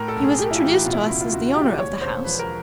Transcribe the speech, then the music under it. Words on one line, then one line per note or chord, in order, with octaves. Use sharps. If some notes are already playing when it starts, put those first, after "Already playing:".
He was introduced to us as the owner of the house--Mr.
Already playing: A2 A#4
A4
B1
G#4
A3 G4
E4
F4
E3 G4
F#4
B2 F4
E4
F4
C#2
F4
C#2 F#4
G#3 G4
D5
D#2 C#5
E1 C5
F3 B4
A#4